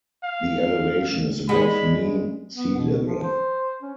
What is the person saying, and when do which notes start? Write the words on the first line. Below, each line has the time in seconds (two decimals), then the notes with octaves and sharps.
The elevation is above mean sea level.
0.24 F5
1.49 G3 G#3 F#4 B5
2.54 B3
2.76 B2
3.06 F3
3.23 C5
3.82 C#4